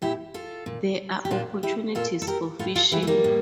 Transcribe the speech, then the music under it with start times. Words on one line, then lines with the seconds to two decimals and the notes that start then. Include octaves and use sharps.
There are opportunities for fishing.
0.02 A#2 E4 G4
0.34 F4 A4
0.66 A#2
1.25 G4
1.31 A#2 D4 F4
1.63 E4 G4
1.95 A#2 F4 A4
2.22 A4
2.27 G4 A#4
2.59 A2 F4 A4
2.76 F4 A4
2.92 E3 E4 G4
3.03 A3
3.07 G3 A#3
3.24 A2